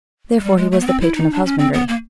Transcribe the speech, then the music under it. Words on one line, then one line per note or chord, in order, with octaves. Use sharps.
Therefore he was the patron of husbandry.
G#3
G3
G#3
A3
B3
C4
E4
D#4
D4
C#4
C4
B3
A#3